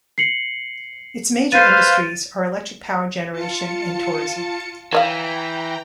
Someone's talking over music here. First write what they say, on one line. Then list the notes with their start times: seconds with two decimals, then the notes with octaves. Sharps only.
Its major industries are electric power generation and tourism.
0.18 C7 C#7 F#7
1.52 B4 C5 F5 A6 D#7
3.32 F4 A5 C#7
4.93 E3 C#5 D#5 F5 G5 A#5